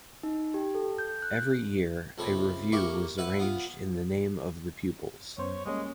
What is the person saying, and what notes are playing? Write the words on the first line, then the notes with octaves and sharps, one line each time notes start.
Every year, a revue was arranged in the name of the pupils.
D#4
G4
A4
G6
F#6
C#2 A3 C4 B5
A#3 E4 G4 C#5
E4 B4 E5 F#5
B3 F4
F#2 B3 C5 C#5
G3 G#3 A#3 C#4